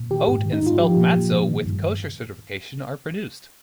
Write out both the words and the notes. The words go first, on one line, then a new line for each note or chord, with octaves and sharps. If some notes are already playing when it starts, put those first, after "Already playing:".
Oat and spelt matzo with kosher certification are produced.
Already playing: A#2
D#3 G4
G#2
D#3
D#4
G#2 F4
F3 G4
A#2
F3
A#2
D#3
G2